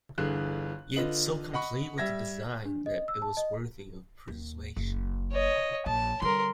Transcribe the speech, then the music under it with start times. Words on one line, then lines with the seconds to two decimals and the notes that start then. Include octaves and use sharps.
Yet, so complete was the design that it was worthy of preservation.
0.18 G1 D3 E3 G#4 F#6
0.96 D3 F4 B4 D#5 F#7
1.53 D#5 F#5 B5 C#6
1.98 G3 E5 G#6 A#6
2.65 D4
2.86 D#5
3.08 E6
3.22 A5
3.37 D#5
4.28 D#2
4.76 F#1
5.32 C#5 D#5
5.86 A#1 A5
6.22 D3 G3 A#4 C6